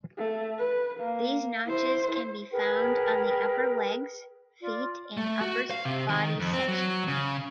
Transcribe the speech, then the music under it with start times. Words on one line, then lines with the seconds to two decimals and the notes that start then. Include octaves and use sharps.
These notches can be found on the upper legs, feet and upper body section.
0.18 A3
0.59 B4
1.00 A#3
1.66 E4 C5
2.51 G#4 A#4 B4 G5
4.61 F4 D5
5.17 A3
5.41 F#4
5.71 F5
5.85 C3
6.09 D#3
6.40 F2
6.53 C4
6.68 F#3
7.08 C#3